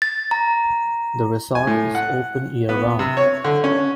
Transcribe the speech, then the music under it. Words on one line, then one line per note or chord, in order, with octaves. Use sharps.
The resort is open year-round.
A6
A#5
G#5
A2
F#5
B3
C3
C#5
D3
C#4